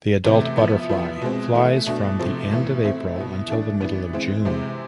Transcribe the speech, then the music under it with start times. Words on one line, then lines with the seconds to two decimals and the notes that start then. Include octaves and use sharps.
The adult butterfly flies from the end of April until the middle of June.
0.25 C3 E3 A3 C4
0.57 F3 B3 E4
0.89 F3 B3 E4
1.21 B2 G#3 C4
1.54 E3 A3 E4
1.86 B2 A3 D4
2.19 C3 F3 A3 C4
2.51 A2 E3 B3 E4
2.84 E3 A3 C4 E4
3.16 B2 B3 E4
3.48 E3 A3 D4
3.81 E3 B3 D4
4.13 E3 G#3 C4
4.45 C3 E3 G#3 C4